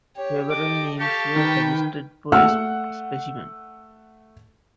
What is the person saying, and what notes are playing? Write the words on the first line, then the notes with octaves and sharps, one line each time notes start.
Several names were suggested for this specimen.
G4 C#5
A4 D#5 D6
G4 A4 F5 A5 C#6
D#3 B4 G5
A3 F#5 E6 F6